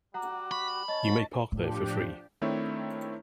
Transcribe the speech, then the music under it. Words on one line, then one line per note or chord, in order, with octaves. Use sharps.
You may park there for free.
G3 F#4 F#5 A#5 D6
B5 C#6
C#4 C#5 D#5 A5
A2 F3 D4 G4
D#3 A3 C4 D4 E4 C#5